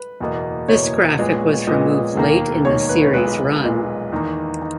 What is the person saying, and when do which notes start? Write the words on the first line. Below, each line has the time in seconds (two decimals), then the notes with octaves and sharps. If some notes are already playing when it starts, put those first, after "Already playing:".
This graphic was removed late in the series's run.
Already playing: B4
0.20 F#1 E2 B2 A#3
0.68 F#1 E2 B2 A#3 C#5
1.18 A#1 A#2 G#3 B3
1.67 A#1 A#2 G#3 B3 D#5
2.15 E1 D#2 D#3 A#3
2.65 E1 D#2 D#3 A#3 C#5
2.89 B4
3.02 C#5
3.14 B1 A#2 G#3 B3 B4
3.63 B1 A#2 G#3 B3
4.12 E2 D#3 A#3
4.62 D#3